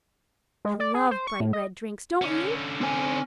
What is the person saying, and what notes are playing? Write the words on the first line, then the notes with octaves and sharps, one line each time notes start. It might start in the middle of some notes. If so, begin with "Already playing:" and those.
I love bright red drinks, don't you?
G#3
D5
G#4
C5
C#6
A2
D#5
D3 C#4
C4 G#5